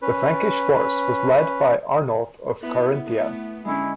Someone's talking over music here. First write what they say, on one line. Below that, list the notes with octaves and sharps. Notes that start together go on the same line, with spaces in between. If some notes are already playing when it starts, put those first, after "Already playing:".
The Frankish force was led by Arnulf of Carinthia.
C#4 B4
B3 E4
A3 B3
D3 G#3 C#4 E4